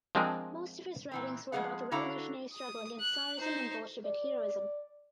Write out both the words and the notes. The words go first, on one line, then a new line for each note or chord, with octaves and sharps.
Most of his writings were about the revolutionary struggle against tsarism and Bolshevik heroism.
F3 G#3 C4 D4 G#4 A#4
A#2 E3 C4
F2 E3 G#3 G#4 F5 F#5
D3 E4 F#4 F5 A#5
D#6
F#6
D#4 C5
D5